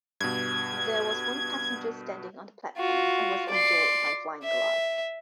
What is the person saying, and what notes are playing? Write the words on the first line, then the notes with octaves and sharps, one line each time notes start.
There was one passenger standing on the platform and was injured by flying glass.
G2 B2 G#6
F4 F#4
D5 C6
E5